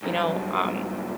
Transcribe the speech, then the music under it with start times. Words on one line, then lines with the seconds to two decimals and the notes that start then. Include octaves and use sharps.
you know, um,
0.03 C2 F#2